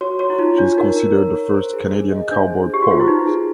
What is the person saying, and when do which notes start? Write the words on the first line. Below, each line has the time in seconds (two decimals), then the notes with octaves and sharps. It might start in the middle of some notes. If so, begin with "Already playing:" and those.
She is considered the first Canadian cowboy poet.
0.01 F#4 C#5
0.19 F#4 C#5
0.30 E4
0.38 D#4 F4
0.58 D4 C#5
0.77 D#4 A#4
0.97 A#4
1.15 C#5
1.35 A#4
1.55 C5
1.73 G#4
1.93 G#4
2.12 D#5
2.31 D4 C5
2.50 G#4
2.70 G4 G#4
2.82 F#4
2.89 F4 C5
3.00 E4
3.08 D#4 B4
3.27 G#4